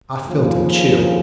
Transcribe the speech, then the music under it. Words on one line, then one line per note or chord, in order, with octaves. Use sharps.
I felt a chill.
D#2 C#3 F3